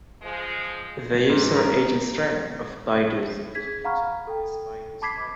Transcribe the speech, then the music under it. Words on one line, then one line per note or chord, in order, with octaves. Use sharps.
The user-agent string of Baidu search engine is "Baiduspider".
F3 G#3
G#2
A#4
G#4 G#6 B6
F5 F#5 A#5 B5 C#6 F6
A4 G5
A5 B5 D6 G#6 B6 C7